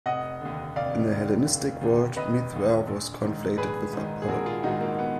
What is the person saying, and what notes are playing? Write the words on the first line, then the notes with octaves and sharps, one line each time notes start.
In the Hellenistic world, Mithra was conflated with Apollo.
F1 D#5 F#5
D#2 D3
F1 D5 F5
D#2 D3
F1
D#2 D3
F1 B4 D#5
D#2 D3
A#1
G#2 D#3
A#1 G#4 B4
G#2 D#3
G#4
A#1 F#4 A#4
F4 G#4
G#2 D#3 D#4 F#4
A#3
B3